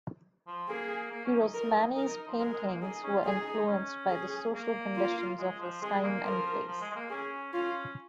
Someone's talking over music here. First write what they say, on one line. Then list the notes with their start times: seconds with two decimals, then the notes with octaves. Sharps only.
Pirosmani's paintings were influenced by the social conditions of his time and place.
0.47 F3
0.68 A#3 G#4
1.11 A#3
1.26 C#4
1.40 D#4
1.54 A#4
1.96 A#4
2.28 F3
2.39 G#3 A#4
2.54 G#3
2.68 A#3
2.82 D#4 G#4
3.04 C#4
3.16 F4
3.25 D#4 G#4
3.39 D#4
3.54 D#4
3.68 C#4
4.10 G#4
4.54 A#3
4.96 F4
5.39 G#3
5.60 F3
5.82 G#3 G#4
6.04 A#3
6.24 F3 A#4
6.68 F3
6.81 G#3
6.91 G#3
6.96 A#3
7.10 C#4 G#4
7.53 C#4 F4